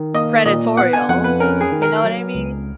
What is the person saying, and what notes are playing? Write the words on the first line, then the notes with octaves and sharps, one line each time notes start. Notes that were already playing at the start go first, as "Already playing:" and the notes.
predatorial, you know what I mean.
Already playing: D#3
A#3 D#5
A#2 D#5
B3 F#5
G#5
F2 F#5
B4
C#4 A#4
G#4
D#3
A#4
F#3
C#2